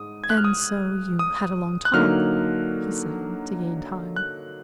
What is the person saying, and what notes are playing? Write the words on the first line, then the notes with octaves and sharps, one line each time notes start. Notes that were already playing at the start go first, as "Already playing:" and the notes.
"And so you had a long talk?" he said, to gain time.
Already playing: G#2 D#6
G#6
F#6
F6
D#6
D#6
F#6
D3 F#3 A#3 D#4 F6
F#6